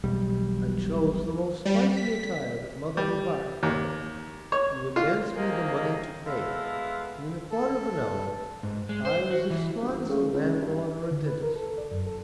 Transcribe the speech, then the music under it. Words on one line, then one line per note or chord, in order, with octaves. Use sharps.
I chose the most spicy attire that Mother Hubart had,--you advanced me the money to pay her,--and in a quarter of an hour I was as smart as a landlord or a dentist.
E1 B1 G3
G3
B6
G3
D#2
C#5
F4
G#2 C3 D#3 A#3 G#4 D#5
G#3 B3 E4 A4 F5
A4
G#2
G#3
C5
F#4
E3
G1
C#3
C#2
G2
D3
B4
A#4
A4
D5
F#2
A4